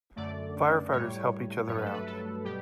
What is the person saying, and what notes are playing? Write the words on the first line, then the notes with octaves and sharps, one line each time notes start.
Firefighters help each other out.
F#2 D3 A3 D5
A2 G3 C#5
G2 F#3 A3 C#5
B4
A4
B4
A4
B2 G3 G4